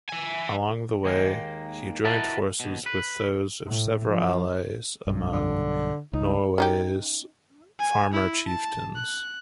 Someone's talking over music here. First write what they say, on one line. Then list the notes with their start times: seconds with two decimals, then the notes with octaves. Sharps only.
Along the way he joined forces with those of several allies among Norway's farmer-chieftains.
0.09 E5 G#5
1.05 D#2 D#3 G#3 A#3
2.04 E4 F#4 A#4 B4 D#5 A5
2.60 D#2 B2
2.86 B4
3.66 A2
4.09 F3
5.07 B1 G2
5.32 D3
6.13 C#2 D#4
6.58 C#4 D#4 G4
7.79 G#5
8.13 E4
8.47 A5
8.96 F#6